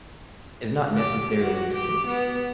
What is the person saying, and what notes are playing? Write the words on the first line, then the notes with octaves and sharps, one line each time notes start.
is not necessarily true.
G4
F#4
G4
B3